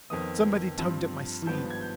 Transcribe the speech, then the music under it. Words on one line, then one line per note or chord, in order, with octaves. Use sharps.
Somebody tugged at my sleeve.
F2 D#3 B3 D#6
G2 F3 C4
G#1 G2 F3 B3 G6
G#6
G6